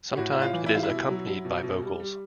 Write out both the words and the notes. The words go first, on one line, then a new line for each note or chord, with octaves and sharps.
Sometimes it is accompanied by vocals.
G4
A2 F#4
A2
F4
E3
E4
G3 F4
E4
B2
F#3
F#3
B2
B2
G3
G3